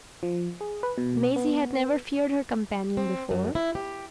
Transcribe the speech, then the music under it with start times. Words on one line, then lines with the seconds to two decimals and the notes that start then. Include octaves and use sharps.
Maisie had never feared her companion before.
0.23 F3
0.61 G#4
0.83 B4
0.98 B2
1.36 B3
2.97 C4
3.31 F#2
3.55 E4
3.75 G4